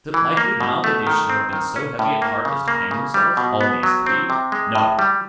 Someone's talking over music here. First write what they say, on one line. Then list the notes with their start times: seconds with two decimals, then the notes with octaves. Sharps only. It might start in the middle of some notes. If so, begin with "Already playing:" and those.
Is it likely now that they should have been so heavy at heart as to hang themselves, all these three? No!
0.14 E3
0.37 A#3
0.60 B2
0.84 A3
1.07 D#3
1.30 C4
1.53 D#3
1.76 C#4
1.99 A2
2.22 A#3
2.45 C#3
2.68 A#3
2.91 C#3
3.14 G3
3.37 B2
3.61 B3
3.83 F#3
4.06 C4
4.30 C3
4.52 G#3
4.75 A2
4.99 G3